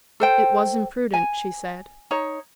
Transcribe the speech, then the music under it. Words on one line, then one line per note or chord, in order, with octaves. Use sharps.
"It was imprudent," she said.
A4 C5 G5
G#5
D#4 C#5